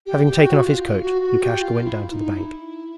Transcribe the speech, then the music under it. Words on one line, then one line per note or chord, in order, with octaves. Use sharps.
Having taken off his coat, Lukashka went down to the bank.
G4
G4
F#4
F4
F4
F#4
F#4
G4
F4
E4
D#4
E4